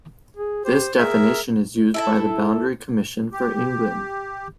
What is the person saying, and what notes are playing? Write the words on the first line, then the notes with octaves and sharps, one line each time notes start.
This definition is used by the Boundary Commission for England.
G#4
G4 C5
G#4 A#4 E5
E4 A4 E5
G4